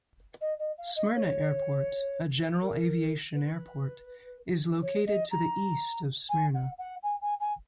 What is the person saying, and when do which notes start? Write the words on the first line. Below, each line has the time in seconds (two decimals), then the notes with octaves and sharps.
Smyrna Airport, a general aviation airport, is located to the east of Smyrna.
0.41 D#5
0.59 D#5
0.77 F5
0.96 D#5
1.14 C#5
2.61 A#4
3.34 B4
4.82 C#5
5.06 D#5
5.30 A#5
6.28 G#5
6.54 F#5
6.78 F#5
7.02 G#5
7.21 G#5
7.40 G#5